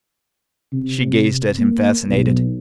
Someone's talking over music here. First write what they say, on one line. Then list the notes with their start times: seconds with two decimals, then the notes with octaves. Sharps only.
She gazed at him fascinated.
0.73 C3
1.59 A#3
2.09 B1